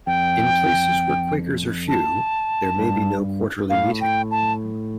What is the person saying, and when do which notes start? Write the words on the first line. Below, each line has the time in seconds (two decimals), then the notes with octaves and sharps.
In places where Quakers are few, there may be no Quarterly meeting.
0.07 F2 G5
1.88 A5
2.79 G2
3.70 A2 F5
4.01 G5
4.31 A5